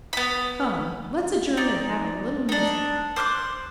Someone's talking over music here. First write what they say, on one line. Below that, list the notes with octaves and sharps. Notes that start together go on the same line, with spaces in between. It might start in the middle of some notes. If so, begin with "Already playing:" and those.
"Come, let's adjourn and have a little music."
B3 B5
D#4 D5
D4 D#4
C5 D6 F6 F#6